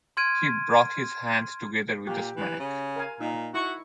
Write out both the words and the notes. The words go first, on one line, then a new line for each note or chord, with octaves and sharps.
He brought his hands together with a smack.
C6 F6 G#6 D7 D#7
A#2 G4
E3
C#3
A#4 F5 G#5
A#2 D#4
E4 F#4 C#6